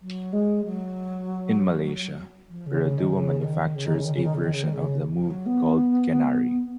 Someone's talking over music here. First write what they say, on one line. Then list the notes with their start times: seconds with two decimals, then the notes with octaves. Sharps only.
In Malaysia, Perodua manufactures a version of the Move called the Kenari.
0.02 F#3
0.33 G#3
0.65 F#3
2.50 F3
2.66 C#3
2.82 C#3
2.97 D#3
3.12 C#3
3.40 C#3
3.44 D#3
3.75 C#3
3.85 D#3
3.94 C#3
4.04 D#3
4.14 C#3
4.23 D#3
4.34 C#3
4.44 D#3
4.53 C#3
4.63 D#3
4.73 C#3
5.15 F3
5.30 F#3
5.46 B3